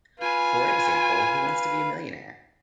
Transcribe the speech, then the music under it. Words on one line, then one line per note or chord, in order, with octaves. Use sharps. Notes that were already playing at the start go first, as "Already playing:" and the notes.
For example, Who Wants to Be a Millionaire?
F4 B4 F5 G#5